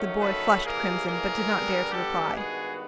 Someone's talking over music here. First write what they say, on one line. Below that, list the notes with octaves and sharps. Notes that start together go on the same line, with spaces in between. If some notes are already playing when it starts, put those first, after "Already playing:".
The boy flushed crimson but did not dare to reply.
Already playing: D#3 F#3 A3 C#4
A4 B4
C3 E3 G3 A#3 G#4 A#4
G#4 A#4
D3 G3 B3
G4 A4
G2 D#3 G#3 B3 F#4 G#4